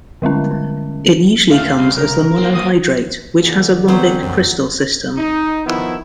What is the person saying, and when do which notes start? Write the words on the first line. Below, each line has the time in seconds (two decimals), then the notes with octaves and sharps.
It usually comes as the monohydrate, which has a rhombic crystal system.
0.22 D3 G3 G#3 C#4
1.51 D#2 A3 F5
1.79 C2 C#3
1.97 A#4
2.38 A#3 C4
2.55 D#6
3.41 D3 E3 A#3 C4 G#4
3.88 F#3 B3 C4 C5
4.22 F#2
5.17 D#4
5.66 D#3 F3 B3 E4